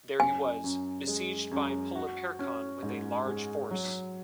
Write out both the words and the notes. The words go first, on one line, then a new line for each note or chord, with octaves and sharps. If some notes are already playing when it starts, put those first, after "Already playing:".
There he was besieged by Polyperchon with a large force.
F#2 G#5
F#2
G#3
F#2
F#4
C#4
G#2
G#3
F#3